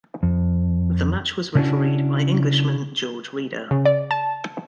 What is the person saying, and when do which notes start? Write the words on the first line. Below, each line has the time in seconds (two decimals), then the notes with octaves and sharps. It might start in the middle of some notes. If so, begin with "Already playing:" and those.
The match was refereed by Englishman George Reader.
0.23 F2
1.55 C#3 C#4 D4 E4 F#4
3.71 C#3
3.85 D5
4.11 A5